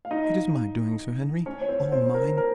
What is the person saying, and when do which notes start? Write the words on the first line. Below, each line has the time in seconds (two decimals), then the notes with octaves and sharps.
It is my doing, Sir Henry--all mine.
0.05 F5
0.11 D#4 D#5
1.46 C#4 C#5
1.61 C#5
1.68 C4 C5
1.92 C4 C5
2.14 A#4
2.37 A#4